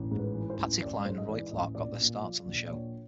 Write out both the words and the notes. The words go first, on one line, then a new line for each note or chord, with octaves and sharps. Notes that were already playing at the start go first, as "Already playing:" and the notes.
Patsy Cline and Roy Clark got their starts on the show.
Already playing: A1
G#2
B4
E3
C5
A1
A1 D5
G#2 C5
D#5
E3 D5
A1 D#5
A#1 D5
A#2
F3
A#1
A#1 C#5